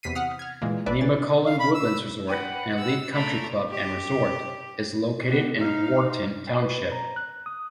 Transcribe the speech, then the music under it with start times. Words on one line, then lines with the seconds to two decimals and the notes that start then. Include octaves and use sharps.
Nemacolin Woodlands Resort, an elite country club and resort, is located in Wharton Township.
0.03 E2 C3 B6 C7 D#7
0.15 F#5 D#6 F6
0.39 F6 G#6
0.62 A#2 E3 G#3 A#3
0.86 A1 E3 D4 B4 D5 E5
1.01 E3 A6
1.46 F5
1.60 B5
1.74 E6
2.29 B4 F#5 G5 D#7
2.78 E6
3.12 A3 A#4 B5
3.71 G4
5.29 B3 G4
5.58 D#4 F5
6.47 G5
6.62 B4
6.92 A#5
7.16 F#6
7.46 D#6